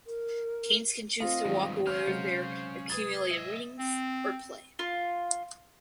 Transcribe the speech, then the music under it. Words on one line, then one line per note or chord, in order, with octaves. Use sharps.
Teams can choose to walk away with their accumulated winnings or play.
A#4
A3 C4 F4 D#5 F5
E2 G2 D#3 F#3 G#3
C#4 C5 F5 F6
C3 F#3 G#3 C#7
G#4 B4 D#6 A6
D#5 E5
C4
F4